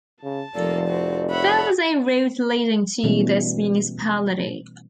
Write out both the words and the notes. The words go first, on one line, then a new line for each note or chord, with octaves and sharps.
There was a road leading to this municipality.
C#3 A5
F1 F3 A#3 A4 D5
C4 F#4
C#5 E5 F#5 B5
B2 E3 G3 A3 C#4